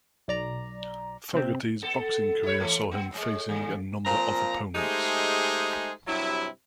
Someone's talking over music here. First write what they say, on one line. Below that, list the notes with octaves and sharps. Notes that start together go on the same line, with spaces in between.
Fogerty's boxing career saw him facing a number of opponents.
B1 D5 A#5
C3 C4
B3 A4
E4 C#5
E3 A3
B3 C4
A2 G#3
D#2
A#2 F3 C4 A#5
G#3 A3 D#4 G4 G#4 C5
G2 C3 F#3 E4